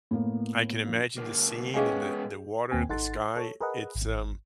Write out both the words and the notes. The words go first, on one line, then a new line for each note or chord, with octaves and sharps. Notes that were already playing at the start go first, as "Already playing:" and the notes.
I can imagine the scene in the the water, the sky. It's, um
A2 A#3 B3
A#1 A#3
C#2 A#3
G#3 B3 C#4 G#4 D#5 F5 G5 G#5
D#2 A#3 C4 G5 G#5
G#1 D#4 A4 F#5 C6 A6
A4 C#5
G#4 A#4 B4 D#5 F#5
G#1